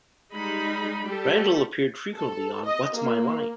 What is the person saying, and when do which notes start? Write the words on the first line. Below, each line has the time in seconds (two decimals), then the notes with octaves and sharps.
Randall appeared frequently on What's My Line?
0.34 G3 G#3 D#4 B5
1.04 G3 G4 A4
2.15 A4
2.66 D#5
2.96 A#3